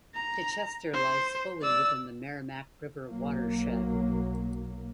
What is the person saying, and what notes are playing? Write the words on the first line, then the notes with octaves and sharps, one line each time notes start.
Chichester lies fully within the Merrimack River watershed.
A#5
C5
D5 E6
B1 F#3 A#3